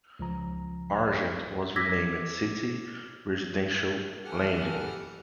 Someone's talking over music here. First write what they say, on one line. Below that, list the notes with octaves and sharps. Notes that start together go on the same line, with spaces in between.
Argent was renamed Citi Residential Lending.
C#2 F3 A#5
D6 E6 G#6 A#6 B6
E3 G4 A4 F#5 F6